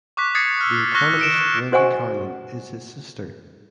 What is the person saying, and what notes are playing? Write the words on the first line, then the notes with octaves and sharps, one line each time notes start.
The economist Wendy Carlin is his sister.
C#6 D6 F#6 B6
D#6 G#6 A6 C7 C#7
E6 F6
C#6 F6 F#6 A#6 G7
C#7 D7 E7
F#4 C5 D#5 F#5 G#5 C#6